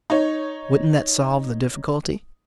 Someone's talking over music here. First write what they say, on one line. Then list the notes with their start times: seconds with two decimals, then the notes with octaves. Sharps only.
"Wouldn't that solve the difficulty?"
0.10 D#4 C#5